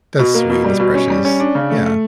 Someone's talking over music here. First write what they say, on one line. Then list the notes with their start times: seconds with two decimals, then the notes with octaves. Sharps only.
That's sweet, that's precious. Yeah,
0.19 B2
0.35 A#3
0.50 B2
0.64 G3
0.80 B2
0.95 C#4
1.10 G3
1.25 C#4
1.40 D4
1.55 C#3
1.70 A3
1.85 A3